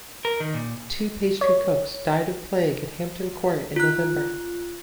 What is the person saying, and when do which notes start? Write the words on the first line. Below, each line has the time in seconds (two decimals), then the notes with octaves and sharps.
Two pastry cooks died of plague at Hampton Court in November.
0.25 A#4
0.40 D#3
0.54 A#2
1.41 C#5
3.76 F4 F#6